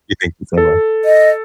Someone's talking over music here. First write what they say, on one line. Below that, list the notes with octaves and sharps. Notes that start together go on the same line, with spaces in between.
You think the same way?
A4
D#5